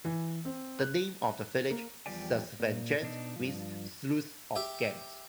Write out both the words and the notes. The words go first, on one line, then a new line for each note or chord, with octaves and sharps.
The name of the village, "Sas van Gent", means "sluice of Ghent".
E3
C4
F#6
A#3
E2 F3 G3 G4 D5 G#5
A#2
B2 D4 D#4
G2 F3
G4 E5 G5